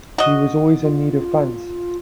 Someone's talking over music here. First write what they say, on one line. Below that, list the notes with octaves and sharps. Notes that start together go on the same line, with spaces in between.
He was always in need of funds.
F#4 D#5
F4